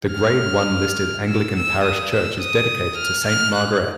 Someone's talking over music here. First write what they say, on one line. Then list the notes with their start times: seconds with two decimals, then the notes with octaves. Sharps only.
The Grade One listed Anglican parish church is dedicated to Saint Margaret.
0.13 F6
1.28 E6
1.56 E6
1.84 D#6
2.13 E6
2.41 D#6
2.99 F6
3.27 F6
3.56 F#6